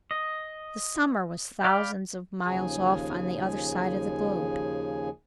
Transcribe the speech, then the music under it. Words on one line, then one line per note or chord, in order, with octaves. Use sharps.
The summer was thousands of miles off on the other side of the globe.
D#5
D5 F5 G5 B5 D6
D#2 C#3 F3 G#4 G#5